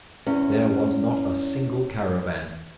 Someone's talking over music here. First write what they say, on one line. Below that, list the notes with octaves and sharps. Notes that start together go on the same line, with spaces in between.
There was not a single caravan.
E2 C#4